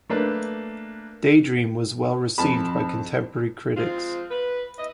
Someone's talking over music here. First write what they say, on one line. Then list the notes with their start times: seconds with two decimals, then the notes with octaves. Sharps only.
"Daydream" was well received by contemporary critics.
0.09 A3 A#3 D4 B4
2.38 F2 A5 B5
3.77 F3 G#3 C4 F4
4.31 B4
4.78 B3 E4 D#5